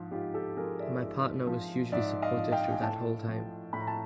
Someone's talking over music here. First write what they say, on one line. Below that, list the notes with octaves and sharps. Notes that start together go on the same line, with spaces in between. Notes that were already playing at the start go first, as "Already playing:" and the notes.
And my partner was hugely supportive through that whole time.
Already playing: G#2 F3
G#2 F4 G4
G4 A4
F3 G#4 A#4
D5 E5
G#2
F3
G#2 D5 E5
D#5 F5
F3
F5 G5
G#5
A2 G5 A5
F3
A2 B5
A#5
A5